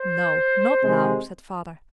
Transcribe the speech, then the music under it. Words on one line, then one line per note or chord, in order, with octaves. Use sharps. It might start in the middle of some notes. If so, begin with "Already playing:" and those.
"No, not now," said Father.
Already playing: C5
C3 D#3 G#3